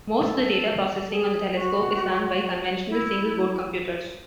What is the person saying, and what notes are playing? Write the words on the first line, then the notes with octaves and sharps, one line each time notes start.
Most of the data processing on the telescope is done by conventional single-board computers.
A4
A4
G#4
F#4
E4